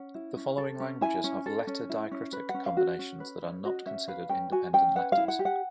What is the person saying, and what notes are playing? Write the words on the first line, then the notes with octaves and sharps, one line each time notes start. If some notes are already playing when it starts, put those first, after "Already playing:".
The following languages have letter-diacritic combinations that are not considered independent letters.
Already playing: C#4 F#5
E4
C#4
A4
C#4
E4 G#5
C#4
A4
C#4
E4
C#4
B4
F#5
C#4
F5
F#4
C#4
B4
C#4
F#4 D#5
C#4 E5
B4 F5
C#4 G5
F#4 G#5
C#4 G5
B4 F#5
F5
E4
F#5
G4
F#5